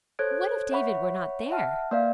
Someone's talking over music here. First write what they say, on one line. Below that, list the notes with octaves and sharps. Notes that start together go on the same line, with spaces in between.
What if David were not there!
A4 C5 C#5 F#6 G#6 D7
C#5 E5 F#5 B5 C#6
E5 F#5 A5 F6
A#3 B4 D5 E5 F5